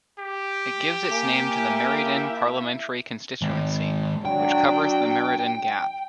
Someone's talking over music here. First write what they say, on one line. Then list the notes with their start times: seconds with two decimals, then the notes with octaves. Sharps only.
It gives its name to the Meriden parliamentary constituency, which covers the Meriden Gap.
0.19 G4
1.12 A#3 G#5
1.55 E4 E5
3.42 D#3 G#3
4.25 F#3 D4 G5